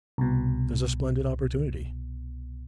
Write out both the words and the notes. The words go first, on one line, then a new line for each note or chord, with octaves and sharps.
There's a splendid opportunity.
C2 B2